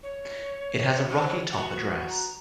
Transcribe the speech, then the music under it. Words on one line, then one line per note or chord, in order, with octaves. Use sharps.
It has a Rocky Top address.
C#5
G2 C#3
B3 F#4
A#5